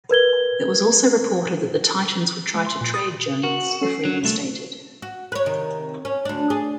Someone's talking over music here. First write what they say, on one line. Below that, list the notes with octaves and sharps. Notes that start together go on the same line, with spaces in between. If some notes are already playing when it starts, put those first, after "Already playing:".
It was also reported that the Titans would try to trade Jones, if reinstated.
A#4 B4 G#6 G7
G#3
C6
A#2
D#6
F#4 A#4
C#4 A4 C7
F#3
C2 A3
F#4
B4 C#5
C3 D#3
C#4
D2 D4
G#4 D5